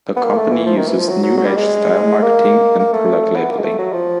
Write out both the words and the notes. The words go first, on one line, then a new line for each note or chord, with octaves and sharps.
The company uses "New Age"-style marketing and product labeling.
B3
A#3
A3
E3
F3
D#3
E3
F3
F#3
F#3
F#3
G3
G#3
A#3
A#3
A3
B3
A#3
G#3
A3
F#3
F3